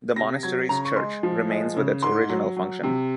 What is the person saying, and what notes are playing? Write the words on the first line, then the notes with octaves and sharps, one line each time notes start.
The monastery's church remains with its original function.
C3 A#6
F#3 G#6
C#3 A#5
C#6
G#3 C6
F3
G#3
C#3
G#2 C6
F#3
F#3
C3